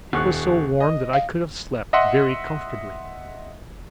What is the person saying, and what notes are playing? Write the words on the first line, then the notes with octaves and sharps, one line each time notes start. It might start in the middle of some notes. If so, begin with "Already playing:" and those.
It was so warm that I could have slept very comfortably.
D#1 C#6 F#6
D#5
F5
D#5 E5 F#5 C6